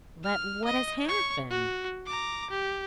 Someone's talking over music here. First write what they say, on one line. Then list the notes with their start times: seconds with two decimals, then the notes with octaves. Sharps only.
"But what has happened?"
0.24 F6
0.65 D#5
1.04 C#5 C#6
1.51 F#4
2.06 A#5 D6
2.50 G4